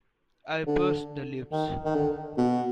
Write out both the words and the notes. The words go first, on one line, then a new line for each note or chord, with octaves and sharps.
I pursed the lips.
D3
D#3
D#3
D3
B2